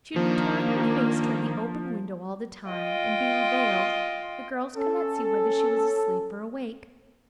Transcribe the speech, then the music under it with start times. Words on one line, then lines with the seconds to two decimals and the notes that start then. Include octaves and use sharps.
She had turned her face toward the open window all the time, and being veiled, the girls could not see whether she was asleep, or awake.
0.16 D#3 F3 A#3 D4
2.69 F4 D#5 G5
4.76 C#4 A4